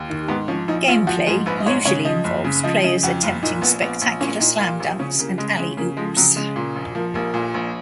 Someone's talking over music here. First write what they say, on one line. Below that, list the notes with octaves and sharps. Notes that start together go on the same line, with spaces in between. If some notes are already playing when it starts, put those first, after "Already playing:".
Gameplay usually involves players attempting spectacular slam dunks and alley oops.
Already playing: D#2
D#3
G#2 B3
F3 C#4
A#1 D#4
A#1 F4
F3 F#4
G#2 G#4
A#1 B4
D#5
G#2 C#5
C#3 C#5
F3 D#5
F#1
C#3
F3 D#5
C#3 D#5
F2 F#4
F#1 F4
A#2 D#4
A#1 B3
A#1 B3
A#1
A#2 C#4
A#2 D#4
A#2 F4
A#1
C#3 C#4
C#3 A#3
C#3 G#3
C#3 G#3
C#3 A#3
F3 G#3
C#3 F#3
C#3 G#3
A#2
A#1
F3 A#3
A#1 A#3
A#2
A#1